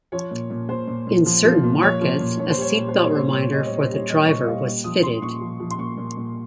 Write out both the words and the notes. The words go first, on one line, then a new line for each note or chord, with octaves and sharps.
In certain markets a seat belt reminder for the driver was fitted.
F3 C#5
A#2
A#2
A#2 C5
A#2
A#2
F3
F3
A#2
F3 C#5
F3
A#2
A#2 C#5
C5
G3 C#5
A#2
C5
G3 C#5
A#2 C5
A#2 C#5
G3 D#5
C#5
A#2
C5
G3 C#5
G3 D#5
A#2 C#6
D#5
G3 F5
A#2
F3 D#6
F3 C6
A#2 C#6
F3
F3
C6
A#2 C#6
A#2
A#2